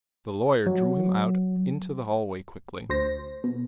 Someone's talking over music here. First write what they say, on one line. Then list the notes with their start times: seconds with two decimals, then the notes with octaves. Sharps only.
The lawyer drew him out into the hallway quickly.
0.66 F#3
2.89 D2 C5 A#6
3.44 B2